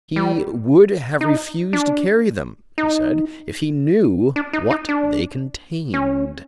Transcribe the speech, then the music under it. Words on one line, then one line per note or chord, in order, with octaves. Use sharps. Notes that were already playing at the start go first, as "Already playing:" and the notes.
He would have refused to carry them, he said, if he knew what they contained.
G3
D#4
D4
D#4
D4
D#4
D#4
D4
C#4